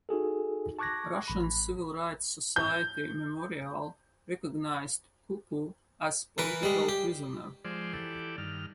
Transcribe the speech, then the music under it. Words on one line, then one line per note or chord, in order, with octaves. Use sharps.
Russian civil rights society Memorial recognized Kuku as political prisoner.
D#4 F#4 G#4 A4
A5 C#6 D6 F#6 G#6 A#6
A1 B5
G6
E3 A#4 B4
G3 G#3
G4
F3 G#3 C5 D5
E3 G4 A4 D5
G2 D#3 F6